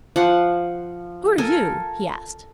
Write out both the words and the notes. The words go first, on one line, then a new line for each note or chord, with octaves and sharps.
"Who are you?" he asked.
F3 F#5
A4 A#4 G#5